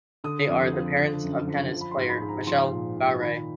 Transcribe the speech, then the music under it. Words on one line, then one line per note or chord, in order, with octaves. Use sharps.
They are the parents of tennis player Michelle Bowrey.
D3 D#6
F2
F3
D3
F#2
F3
F3
B5
C6
G#2
B5
G#2
A#5
F3 C6
A#2
A#2
D#3 B5